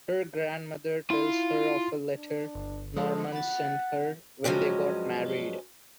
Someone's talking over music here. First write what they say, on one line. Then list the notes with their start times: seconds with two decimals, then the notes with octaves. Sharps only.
Her grandmother tells her of a letter Norman sent her when they got married.
1.11 E4 F4
2.17 D4
2.55 G1
2.96 F3 G#3 A3 A4
3.32 F#5 B5 A6
4.44 G2 F3 F#3 G#3 C#4